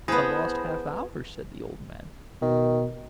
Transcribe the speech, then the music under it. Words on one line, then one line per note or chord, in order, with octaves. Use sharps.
"A lost half-hour?" said the old man.
B3 E4 G#4 C5 A5
B2 D#3